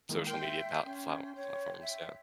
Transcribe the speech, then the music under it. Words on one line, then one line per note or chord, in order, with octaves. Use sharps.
social media palt flaut platforms, yeah.
D#3 G#3 A#3 E4
A#4 G5 C6
E5
C#4
C#5
E5